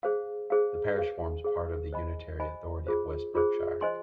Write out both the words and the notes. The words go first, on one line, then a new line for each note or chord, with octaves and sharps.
The parish forms part of the unitary authority of West Berkshire.
G#4 C5 F5
G#4 C5 F5
G#4 C5 F5
G#4 C5 F5
C5 D#5 G#5 B5
C5 D#5 G#5 B5
F4 G#4 C5
F4 G#4 C5
C5 D#5 G#5 C6